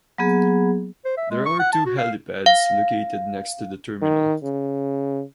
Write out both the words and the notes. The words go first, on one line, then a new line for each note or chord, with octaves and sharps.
There are two helipads located next to the terminal.
F#3 A#3 B3 G#4
C5
E5
G#3
C#6
F#5
A5
F#4
F5
F5
D#3
C#3